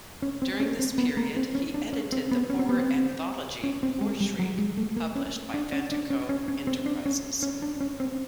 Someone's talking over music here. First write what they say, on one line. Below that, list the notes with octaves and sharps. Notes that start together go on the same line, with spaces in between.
During this period, he edited the horror anthology "Gore Shriek", published by FantaCo Enterprises.
C#4
C4
C#4
C4
B3
A#3
C4
C#4
D4
C#4
C4
B3
C#4
C4
B3
C4
C#4
C4
G#3
G3
F#3
G#3
A3
A#3
C#4
D4
C#4
D4
C#4
C#4
C#4
C4
D4
C#4
C#4
D4
C#4
C4